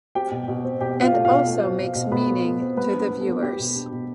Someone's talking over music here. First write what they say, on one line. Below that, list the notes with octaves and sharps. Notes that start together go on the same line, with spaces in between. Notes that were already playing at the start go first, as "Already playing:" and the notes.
And also makes meaning to the viewers.
C4 G4 G5
B2
B2
C4
B2 G4 G5
C4
F4 F5
A3
F4 F5
B2
A3
C4
B2
B2
B2 B3 B4
A3
A3
C4
G3 B3 B4
D4
B3 B4
B3
A4
B3
B3 G4
B2
D4
B2